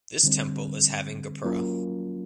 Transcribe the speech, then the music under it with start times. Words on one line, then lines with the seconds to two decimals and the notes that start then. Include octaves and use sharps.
This temple is having gopura.
0.23 D3 G3 C4
1.45 F#3 A#3 C#4 F4 A#4